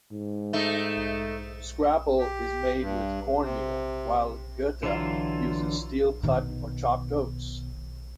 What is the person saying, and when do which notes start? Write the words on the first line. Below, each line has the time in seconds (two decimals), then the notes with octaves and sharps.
Scrapple is made with cornmeal while goetta uses steel-cut or chopped oats.
0.12 G#2
0.53 A3 D#4
2.19 G4
2.81 G2
3.42 C3
4.83 D3 E3 F#3 F4
6.23 B2 D#3